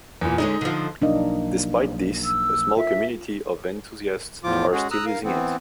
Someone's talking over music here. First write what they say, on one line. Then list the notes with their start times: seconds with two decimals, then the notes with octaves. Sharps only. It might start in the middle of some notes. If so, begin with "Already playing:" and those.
Despite this, a small community of enthusiasts are still using it.
0.21 E2 A#2
0.38 D3 G#3 C#4 D#4
0.61 D3 F3
1.02 B1 F3 A#3 D4 D#4 D#5
2.25 E6
2.77 F4 E5
4.44 E2 A2 F3 F4 D6
4.72 G#3 C#4 F#4 G#4
4.91 A#5 D#6 E6 F#6
5.06 A#4 F5
5.24 E3 B3 C4